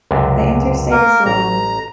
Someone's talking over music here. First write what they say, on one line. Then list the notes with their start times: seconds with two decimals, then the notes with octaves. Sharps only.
The interstate is long.
0.11 C#2 F#2 C3
0.91 A#3 A#4
1.26 A1 A#5